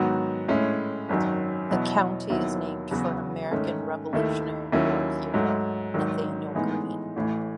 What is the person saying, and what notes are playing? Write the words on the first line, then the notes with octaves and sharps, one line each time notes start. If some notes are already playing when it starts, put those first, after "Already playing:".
The county is named for American Revolutionary War hero Nathanael Greene.
Already playing: G#2 D#3 F#3 B3 F#4
A2 G#3 C#4 E4
G#1 F#2 D#3 F#3
E2 B2 F#3 B3 E4
D#2 D#3 F#3 B3 E4
E2 C#3 F#3 B3 F#4
G#2 D#3 A3 C#4
D#2 D#3 A3 E4
D#2 D#3 F#3 C#4 E4
G#2 F#3 A3
G#1 G#2 D#3 F#3
A2 E3 G#3 B3 D#4
A1 A2 E3